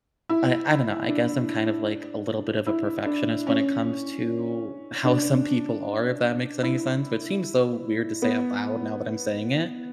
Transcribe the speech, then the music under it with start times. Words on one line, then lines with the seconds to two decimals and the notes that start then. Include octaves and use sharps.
I I don't know. I guess I'm kind of, like, a little bit of a perfectionist when it comes to how some people are, if that makes any sense. But seems so weird to say out loud now that I'm saying it.
0.29 E4
1.08 D4
2.67 E4
3.06 D4
3.47 C#4
5.05 D4
6.63 E4
8.22 B3